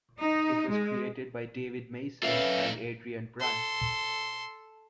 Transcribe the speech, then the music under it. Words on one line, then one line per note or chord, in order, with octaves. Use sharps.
It was created by David Mason and Adrian Brant.
D#4
G#3
E3 C#4 D#4 A4 B4 E5 F5
A4 C6